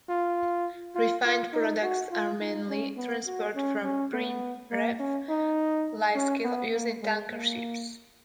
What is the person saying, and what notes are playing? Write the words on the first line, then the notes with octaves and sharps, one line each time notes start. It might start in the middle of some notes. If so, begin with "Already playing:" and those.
Refined products are mainly transported from Preemraff Lysekil using tanker ships.
F4
F4
F4
D#4
F#4
F4
D#4
C#4
B3
F#4
C#4
C#4
B3
A#3
C#4
D#4
C#4
B3
A#3
G#3
A#3